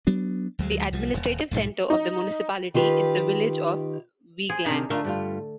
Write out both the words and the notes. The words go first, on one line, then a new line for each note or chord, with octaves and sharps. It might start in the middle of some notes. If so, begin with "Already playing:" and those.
The administrative centre of the municipality is the village of Vigeland.
F#3 B3 D4
D2 F#3 G#3
C2 F3 G3
D#1
B1 G#2 G3
D#4
D#3 F4 G4 B4
G#4 C5
C3 D#3 D4 D#4
D3 A3 F4 A#4
G2 G3 F4